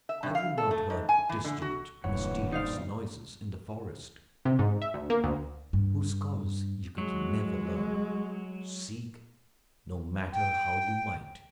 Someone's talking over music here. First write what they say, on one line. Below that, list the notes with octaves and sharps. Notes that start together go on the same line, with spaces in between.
Have you not heard distant, mysterious noises in the forest, whose cause you could never learn, seek no matter how you might?
E5
G2
F5
A4
A3
G#2
G#5
E3
D3
F#4
E1 G2 A#2 D3 E3 C#5 F#5
D#4 C5 D5 F5
C3
G#2
E5
D2
A#3
D2
G2
F#3 G#3
G5